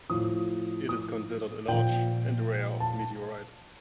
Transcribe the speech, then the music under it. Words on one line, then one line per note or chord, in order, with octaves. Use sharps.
It is considered a large and a rare of meteorite.
A2 F3 D#6
D#6
A#2 F3 G5
A5